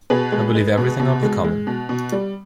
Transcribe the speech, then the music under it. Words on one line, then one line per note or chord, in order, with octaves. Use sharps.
I believe everything out of the common.
B2 G#4 B4
G#3
G#3
B2
B2
G#3
G#3
B2
B2
G3